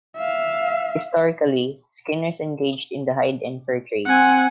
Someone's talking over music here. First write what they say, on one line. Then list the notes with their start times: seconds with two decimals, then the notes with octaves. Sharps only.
Historically, skinners engaged in the hide and fur trades.
0.17 E5 F5
4.06 C4 F#5 G#5